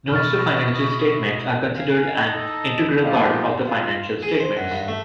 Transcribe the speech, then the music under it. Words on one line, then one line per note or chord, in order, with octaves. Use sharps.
Notes to financial statements are considered an integral part of the financial statements.
B2 E4 D#5 C#6 F6 A6
F5 G#5
D#4 A4 D#5
A#2 F3 B3 D#4 F4 G4
B2
F4
G#4
C5
F#2
G2
A3